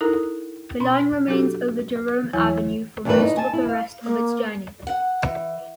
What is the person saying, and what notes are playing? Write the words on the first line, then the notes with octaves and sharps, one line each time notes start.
The line remains over Jerome Avenue for most of the rest of its journey.
D#4 E4 A4 A#4 A#5 F#6
B2 C#4 B5 C6
F#3 D4 F#4 G4 A4
E2 E3 F#3 E4 C#5 G#5
E2 G2 D#3 E3 A3 B4
D#4
G#5 A5
E4
F5
A#3
F#5
E3